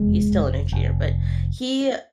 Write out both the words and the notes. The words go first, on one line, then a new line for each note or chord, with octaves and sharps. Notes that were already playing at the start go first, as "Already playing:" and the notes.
He's still an engineer, but he
Already playing: F1 E2 G#3
F1
F1